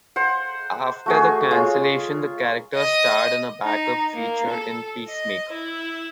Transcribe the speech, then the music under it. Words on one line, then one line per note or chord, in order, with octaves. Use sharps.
After the cancellation, the characters starred in a backup feature in "Peacemaker".
C5 F#5
A3 F#4 G#4
G#3 F4 C#5
D#5 D#6
D#4
A#3
A4
D#5
E4